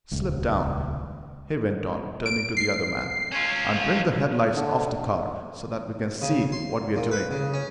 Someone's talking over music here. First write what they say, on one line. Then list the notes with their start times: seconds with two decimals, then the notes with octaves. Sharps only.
Slip down," he went on, turning to the other man, "and bring the headlights off the car, so that we can see what we're doing.
0.11 D#1 C#2
2.26 D7
2.57 C7
3.32 C#4 F4
4.55 D3
6.22 C#3
6.52 C6
6.96 A#2
7.11 B4
7.31 C#3
7.54 C#4